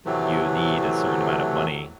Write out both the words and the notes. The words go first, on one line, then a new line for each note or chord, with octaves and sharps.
you need a certain amount of money.
A2 C3 E3 F#3 A3